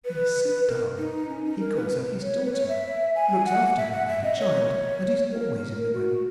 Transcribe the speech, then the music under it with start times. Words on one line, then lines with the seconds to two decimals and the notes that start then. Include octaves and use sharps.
He is so dull; he calls her his daughter; looks after her like a child; and is always in the way.
0.05 B4
0.67 A#4
0.98 D#4
1.29 C#4
1.44 D#4
1.60 A#4
1.75 B4
2.22 C#5
2.46 B4
2.53 C#5
2.69 E5
3.15 G#5
3.46 F#5
3.77 E5
3.92 F#5
4.08 E5
4.23 D#5
4.39 C#5
5.32 A#4
5.94 F#4